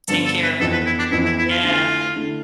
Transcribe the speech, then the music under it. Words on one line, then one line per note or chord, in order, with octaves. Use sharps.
Take care of him pretty mu yeah.
G2 D3 F3 B3 D4 A4
A4
B4
F2 E3 B3 A4
B4
E4
D4
F2 E3 B3 E4
E4
E4
F4
D3 A3 E4 F4
D3 A3 E4